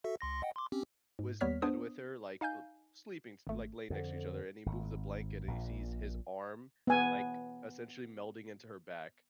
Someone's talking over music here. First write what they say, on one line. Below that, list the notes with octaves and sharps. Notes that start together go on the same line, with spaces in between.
was in bed with her, like, uh, sleeping s like, laying next to each other, and he moves a blanket and he sees his arm, like, essentially melding into her back.
F#4 A4 E5
C#2 C6 A#6
D#5 F#5 G5
C6 D6
C4 C#4 G4
G#2
D#2 G3 B3 C#5 F6 B6
B3 D4 C5 D#6
D#4 F5 G#5 G6
G#1 A3
F2 D3
G#1
A#1 A#2
B3 G#5